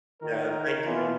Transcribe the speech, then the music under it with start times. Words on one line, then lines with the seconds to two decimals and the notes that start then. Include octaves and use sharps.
Yeah, thank you.
0.20 D#3 A#4
0.85 B2 E3 F4